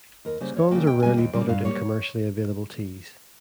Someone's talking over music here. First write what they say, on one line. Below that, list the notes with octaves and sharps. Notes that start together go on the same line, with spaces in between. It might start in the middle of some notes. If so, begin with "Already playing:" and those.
Scones are rarely buttered in commercially available teas.
D#2 A#4
C#3 G3 A#3 C5
D#2 C#5
C#3 G3 A#3 G5
D#2 G5
C#3 G3 A#3 G#5
D#2 G5
C#3 G3 A#3
G2 F5
G3 A#3 C#5